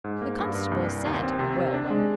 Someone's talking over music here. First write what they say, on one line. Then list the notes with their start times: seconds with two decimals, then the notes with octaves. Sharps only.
The constable said 'Well!
0.04 G#2
0.22 A#3
0.39 G2
0.55 G2
0.72 C2
0.88 C2
1.05 D#2
1.23 C4
1.39 C3
1.57 C3
1.74 D4
1.90 G#3